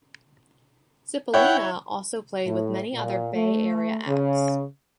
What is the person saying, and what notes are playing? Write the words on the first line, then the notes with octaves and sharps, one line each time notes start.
Cippolina also played with many other Bay Area acts.
E4 C#5 F#5 G5
A2
A#2
A3
C#3